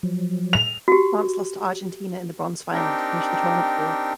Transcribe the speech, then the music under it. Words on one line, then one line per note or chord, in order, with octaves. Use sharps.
France lost to Argentina in the bronze final to finish the tournament fourth.
F3 F#3
F7
F#4 G4
C4 D4 D#4 G4 A#4 G5